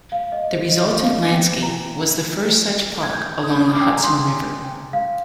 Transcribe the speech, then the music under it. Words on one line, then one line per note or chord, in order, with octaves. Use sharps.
The resultant landscape was the first such park along the Hudson River.
F5
D#5
C5
D#5
F5
G5
A#5
G#6
G6
D#6
D#6
D6
G5
G#5
A#5
C6
G5
F5